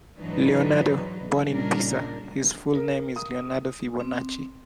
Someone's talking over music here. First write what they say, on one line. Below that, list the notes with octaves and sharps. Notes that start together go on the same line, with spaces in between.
Leonardo: Born in Pisa, his full name is Leonardo Fibonacci.
G#2 E3 F#3 D4 D#4 B4
A#2 C#3 G3 D4 D#4 A#4
A#4
D#6
C4